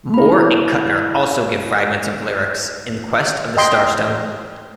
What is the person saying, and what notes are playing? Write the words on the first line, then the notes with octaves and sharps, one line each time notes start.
Moore and Kuttner also give fragments of lyrics in Quest of the Starstone.
E4 B5
D#5 G5 C6